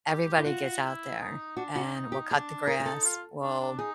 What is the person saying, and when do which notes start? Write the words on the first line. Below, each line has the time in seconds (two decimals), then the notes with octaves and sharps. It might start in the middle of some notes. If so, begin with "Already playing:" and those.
everybody gets out there and we'll cut the grass, we'll
0.09 G4
0.37 E4
0.45 F4 F#4
0.82 E4
1.20 D#4
1.57 D4 F#4
1.76 F#4
1.94 D#4
2.12 G4
2.30 D4 G#4
2.67 D#4 A#4
2.80 G#4
2.86 A4
3.05 F4
3.42 D4
3.60 D4
3.79 D#4 G#4